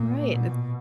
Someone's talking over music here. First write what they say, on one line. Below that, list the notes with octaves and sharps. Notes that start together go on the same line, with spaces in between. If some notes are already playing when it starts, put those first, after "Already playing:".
Right. That's
Already playing: A#2
B2